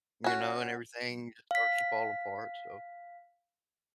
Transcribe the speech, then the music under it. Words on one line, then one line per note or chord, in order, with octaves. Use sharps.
you know, and everything just starts to fall apart, so,
C#4 F#4
F5 B6